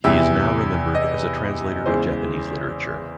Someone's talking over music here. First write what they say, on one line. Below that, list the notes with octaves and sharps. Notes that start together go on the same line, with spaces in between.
He is now remembered as a translator of Japanese literature.
E2 C3 E3 E5
D#5
E2 C#3 E3 G#3 C5